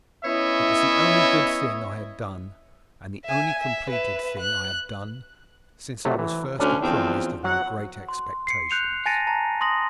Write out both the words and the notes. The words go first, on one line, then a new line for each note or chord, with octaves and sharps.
It was the only good thing I had done, and the only completed thing I had done, since I was first apprised of my great expectations.
B3 C#4 E4 C#5 D#5 E5
E5 G#5
E5
B4 E5
F#6
C3 F#3 A3
E3
D2 C#4 D4 A5
E2 F3 C4
F#3 F#5
C6
C7 C#7
F#6 G6 C#7 F7
G#5 A5 A6 A#6 C#7 D#7
A5 A#5
C6 D#6 A#6 F#7